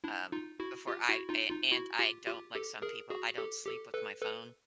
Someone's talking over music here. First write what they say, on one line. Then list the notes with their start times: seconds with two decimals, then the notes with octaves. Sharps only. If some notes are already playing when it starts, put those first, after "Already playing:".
um, before I a and I don't like, some people, I don't sleep with my phone,
0.04 D4 E4
0.32 D#4 F4
0.60 E4 F#4
0.87 F4 G4
1.09 E4 F#4
1.29 D#4 F4
1.50 D#4 F4
1.72 E4 F#4
1.99 F4 G4
2.27 F4 G4
2.55 G4 A4
2.82 G#4 A#4
3.10 F#4 G#4
3.38 G4 A4
3.66 G4 A4
3.94 A4 B4
4.21 A4 B4